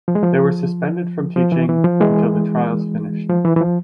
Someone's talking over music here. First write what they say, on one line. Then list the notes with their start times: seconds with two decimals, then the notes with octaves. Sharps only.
They were suspended from teaching until the trials finished.
0.08 F3
0.15 G#3
0.23 F3
1.36 F3
1.52 E3
1.69 E3
1.84 F3
2.00 E3 G#3
3.29 F3
3.45 E3
3.57 E3
3.61 F3